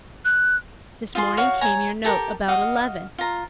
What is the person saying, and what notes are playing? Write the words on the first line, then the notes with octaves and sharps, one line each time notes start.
This morning came your note, about eleven.
F#6
F4 G#4 C6
F#4 C#5 F5 C#6
C#5 G#5 A#5
G4 A4 A#4
F#4 D#5 F5
F4 A#5